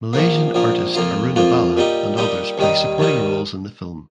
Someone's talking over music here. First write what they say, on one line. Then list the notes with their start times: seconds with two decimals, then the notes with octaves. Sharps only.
Malaysian artist Aruna Bala and others play supporting roles in the film.
0.13 A#1 A#2 F3 A#3
0.54 A#1 A#2 F3 A#3
0.95 F2 F3 A#3 F4
1.36 F2 F3 A#3 F4
1.77 A#2 G3 D#4 G4
2.17 A#2 G3 D#4 G4
2.58 D#2 D#3 G3 D#4
2.98 D#2 D#3 G3 D#4